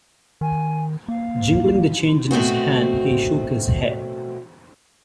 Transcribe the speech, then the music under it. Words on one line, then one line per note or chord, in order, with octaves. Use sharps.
Jingling the change in his hand he shook his head.
D#3 G#5
A#3 F5
B2 A3 C4 F#4